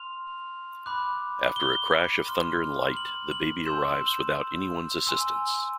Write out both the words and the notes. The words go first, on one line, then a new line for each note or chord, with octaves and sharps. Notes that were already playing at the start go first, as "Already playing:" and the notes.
After a crash of thunder and light, the baby arrives without anyone's assistance.
Already playing: C6 F6 F7
B5 D6 F#6
G7
C6 F6
F#7
F#7
C6 E6 G6 E7
G#5 C6 E6